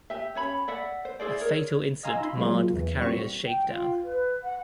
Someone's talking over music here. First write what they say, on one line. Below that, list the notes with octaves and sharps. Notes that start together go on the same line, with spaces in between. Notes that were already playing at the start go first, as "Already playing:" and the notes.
A fatal incident marred the carrier's shakedown.
G4 E5
C#4 C#5 B5
D5 E5 F#5
C5
E4 G#4 C5 D5
A#4 C#5
D#5 F5 G#5 A#5 C6 E6
D#4 B5 C6
F#3 G#3 A#3 F4
E2 E3
B2 G3 A#3 C4 F4 C#6
G5
F4
B4
F#5